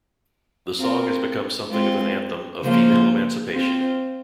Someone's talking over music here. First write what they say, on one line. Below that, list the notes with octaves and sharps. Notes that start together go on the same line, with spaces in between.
The song has become something of an anthem of female emancipation.
C4 F4 A#4
G#3 C4 F4
C#3 F3 A#3 F4 C5
C4 F4 C5